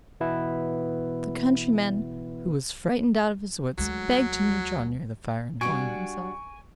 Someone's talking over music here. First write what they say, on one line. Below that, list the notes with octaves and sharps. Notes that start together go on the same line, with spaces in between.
The countryman, who was frightened out of his wits, begged him to draw near the fire and warm himself.
B2 E3 B3 E4 B4
D2 F#3 G#3
G3 D4 F#4 G#5 C#6 D7